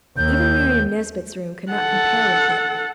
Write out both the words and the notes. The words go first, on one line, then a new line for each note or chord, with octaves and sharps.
Even Miriam Nesbit's room could not compare with it.
D#2 G6
A4 F#5